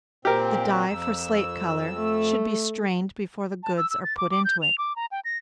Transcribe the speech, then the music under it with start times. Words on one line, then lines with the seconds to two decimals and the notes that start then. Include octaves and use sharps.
The dye for slate color should be strained before the goods are put into it.
0.25 A#2 C4 G4 A#4
0.88 F2 E6
1.97 A3
3.63 A5
3.78 E6
3.91 E6
4.04 A6
4.17 D6
4.30 D6
4.45 G6
4.62 F7
4.78 D6
4.96 A#5
5.11 G5
5.25 A#6